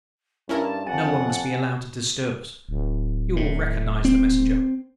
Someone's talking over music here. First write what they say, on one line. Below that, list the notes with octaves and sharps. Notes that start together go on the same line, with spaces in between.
No one must be allowed to disturb us. You will recognize the messenger.
G2 C#4 E4 A#4 A5
F2 F#5 G#5 A5 A6
D1
A2
C4